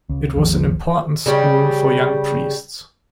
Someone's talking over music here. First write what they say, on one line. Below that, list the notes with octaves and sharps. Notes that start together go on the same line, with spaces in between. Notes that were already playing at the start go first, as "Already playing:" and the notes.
It was an important school for young priests.
C#2
G#1 D#2 G#2 F3
C#3 G3